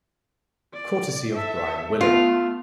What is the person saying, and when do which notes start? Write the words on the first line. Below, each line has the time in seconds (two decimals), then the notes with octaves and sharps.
Courtesy of Bryan Willy.
0.74 D5
1.33 A4 E5
2.01 A3 B3 F4